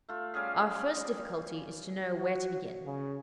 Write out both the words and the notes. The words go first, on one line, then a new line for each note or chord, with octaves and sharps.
Our first difficulty is to know where to begin.
A3 F4
G3 C#4 G#4 F5
F#4
C#3